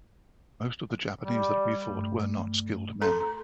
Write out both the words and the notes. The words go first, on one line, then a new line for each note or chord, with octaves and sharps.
Most of the Japanese that we fought were not skilled men.
G3
G2 A3
A4 A#5 C6